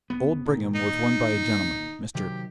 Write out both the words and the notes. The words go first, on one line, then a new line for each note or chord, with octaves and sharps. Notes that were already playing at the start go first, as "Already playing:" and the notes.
Old Brigham was won by a gentleman--Mr.
F1 B3
A#2 D#3
D#4
C3 D#3 F#3 G4